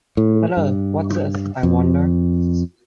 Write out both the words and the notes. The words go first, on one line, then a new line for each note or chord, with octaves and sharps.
Hello, what's this, I wonder.
A2
G2
F2